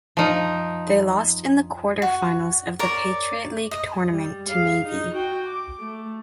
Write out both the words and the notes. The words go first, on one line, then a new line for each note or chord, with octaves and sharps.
They lost in the quarterfinals of the Patriot League Tournament to Navy.
F3 D#4
F#4
A#4 C#5 D5
D#5
G3
G#4 F5
D#4
F#4 G5
D6
A3